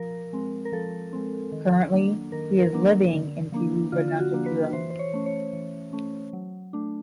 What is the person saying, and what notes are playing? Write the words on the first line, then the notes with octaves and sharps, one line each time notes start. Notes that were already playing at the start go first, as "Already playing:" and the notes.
Currently he is living in Thiruvananthapuram.
Already playing: F3 A#4
G#3 C4
A#4
F3 A4
G#3 C4
D#3
F#3 A#3 D4
D#3 A#4
A#4
F#3 A#3 D4
D3
F3 A#3 D4
D3 F4
F4
F#4
F3 A#3 D4
B4
E3 C5
C5
C#5
A3 C#4
C#5
E3
A3 C#4
F#3
A3 D4